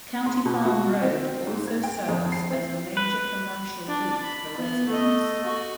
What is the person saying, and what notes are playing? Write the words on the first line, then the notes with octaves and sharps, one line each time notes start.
County Farm Road also serves as a major commercial route for residents.
C6
B2
F#4
C4
G#2
G#6
G5
F2
C7
C4
B4
D4
B5
B3
A3 D#5
F#4